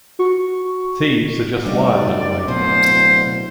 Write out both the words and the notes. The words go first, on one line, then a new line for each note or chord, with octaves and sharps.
Thieves are just wired that way.
F#4 C#6
D2 C#3 G3 D#4 D5
D1 B2 C5